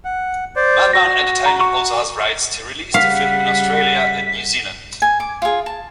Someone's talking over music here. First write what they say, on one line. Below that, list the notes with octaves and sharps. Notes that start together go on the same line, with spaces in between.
Madman Entertainment also has rights to release the film in Australia and New Zealand.
F#5
C5 D5
F#4 A#6
A#5
C#6
C#3 G3 F5 F#5 B6
G#5
D6
F4 G#4
A5